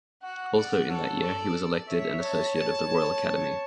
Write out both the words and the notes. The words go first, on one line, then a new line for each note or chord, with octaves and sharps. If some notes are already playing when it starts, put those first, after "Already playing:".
Also in that year he was elected an associate of the Royal Academy.
F#4 F#5
D5 F#5
A4 C#5
D5
C#5 E5
C#5 A5
C#5 A5
C#5